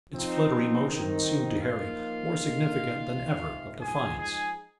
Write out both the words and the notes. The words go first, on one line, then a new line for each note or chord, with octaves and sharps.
Its fluttering motions seemed to Harry more significant than ever of defiance.
F3 C4 D#4
D#3 C4 D#4
F3 A#3 D#4 F4 F5
D#3 A#3 D#4
C3 G#3 D#4
F3 G#3 D#4 G#4 G#5
G#4 G#5